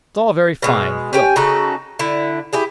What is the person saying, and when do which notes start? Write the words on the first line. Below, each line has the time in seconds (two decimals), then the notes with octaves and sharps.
'It's all very fine--Well!
0.62 B2 D#3 G#3
1.13 C#4 G4 G5 G#5
1.36 C#3 D#4 F#4 A4
1.99 D3 E4
2.53 E4 G4 G#4